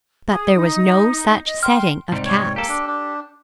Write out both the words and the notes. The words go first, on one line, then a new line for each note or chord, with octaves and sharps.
But there was no such setting of caps.
G#4 D#6
D#4
D#5
G5 C6 F6
G#2 C3 G3
C#5
A#3 G4 A4
D4
D4